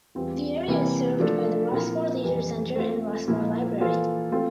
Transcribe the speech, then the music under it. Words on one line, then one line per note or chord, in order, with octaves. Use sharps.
The area is served by the Rossmore Leisure Centre and Rossmore Library.
E2 E3 G3 C4 F4
C3 E3 G3 A#3 E4
F3 A3 D4 A4
A#2 F3 C4 E4 A#4
F2 E3 G3 A#3
A3 C4 F4 C5
A#2 F3 A#3 E4
E3 A#3 F4 A4
A3 C4 F4 A4